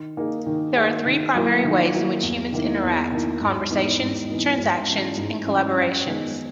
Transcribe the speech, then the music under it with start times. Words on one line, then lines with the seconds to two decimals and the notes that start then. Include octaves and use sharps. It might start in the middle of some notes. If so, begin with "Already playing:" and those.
There are three primary ways in which humans interact: conversations, transactions, and collaborations.
Already playing: D#3
0.17 A#3 D#4 G#4
0.46 D#3
0.76 A#3 D#4 G#4
1.06 D#3
1.35 F#3 A#3 E4
1.64 D#3
1.93 F#3 A#3 E4
2.23 E2
2.52 D#3 A#3 E4
2.82 E2
3.11 D#3 A#3 E4
3.41 G#2
3.70 E3 B3 D#4
4.00 G#2
4.29 E3 B3 D#4
4.58 G#2
4.88 E3 G#3 C#4
5.17 G#2
5.47 E3 G#3 C#4
5.76 F#2
6.06 D#3 G#3 B3